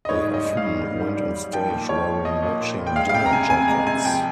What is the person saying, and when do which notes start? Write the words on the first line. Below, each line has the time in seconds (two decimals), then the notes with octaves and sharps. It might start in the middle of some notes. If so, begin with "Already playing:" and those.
They often went on stage wearing matching dinner jackets.
0.05 D#5
0.09 G#2 C#5
0.27 G3
0.34 D#5
0.45 G#2
0.57 F5
0.63 G3
0.81 G#2
1.00 G3
1.16 G3
1.36 G3
1.53 F3 G5
1.70 A#2
1.89 F3 C#5
2.07 F3
2.25 F3 D#5
2.43 A#2
2.60 A#2
2.78 A#2
2.87 G5
2.96 G#3 F5
3.09 F5
3.14 C3 G5
3.26 A#5
3.33 C3 G#5
3.50 C3 G#5
3.68 G#3 A#5
3.87 C3 G#5
4.04 F3 G5